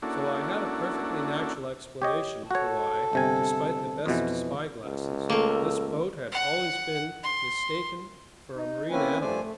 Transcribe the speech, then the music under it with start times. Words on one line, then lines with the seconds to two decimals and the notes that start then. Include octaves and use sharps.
So I had a perfectly natural explanation for why, despite the best spyglasses, this boat had always been mistaken for a marine animal.
0.02 A#3 C#4 D4 E4 F#4 A4
2.02 G4 C#5 D#5
2.51 F#4 A4 C#5
3.13 G1 C3 G#5
4.06 F2 B2 E3
4.85 C#2
5.30 A3 A#3 A4
6.32 F#5
7.23 C6
8.55 D#4
8.90 A#3 C4 C#4 E4 B4 G#5
9.20 G2 F3 A3 C5 D5 G#5
9.41 A3